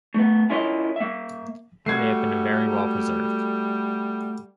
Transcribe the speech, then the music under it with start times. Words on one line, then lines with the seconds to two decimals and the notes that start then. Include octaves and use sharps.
They have been very well preserved.
0.14 A3 B3
0.50 C#4 E4 F4 A#4 C#5 D#5
0.96 A#3 E5
1.86 G3 A3 F#4 G#6 C7